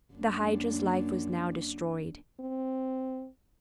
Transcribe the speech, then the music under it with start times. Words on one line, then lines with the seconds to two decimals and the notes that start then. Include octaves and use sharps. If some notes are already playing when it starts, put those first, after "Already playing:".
The Hydra's life was now destroyed.
0.14 F#2 A#3 D4
2.40 C4